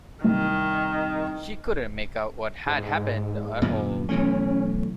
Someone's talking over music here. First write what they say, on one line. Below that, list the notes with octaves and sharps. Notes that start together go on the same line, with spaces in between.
She couldn’t make out what had happened at all.
C2 D#3
G#2
F#2 A#2 D#3
B1 E3 A3 C#4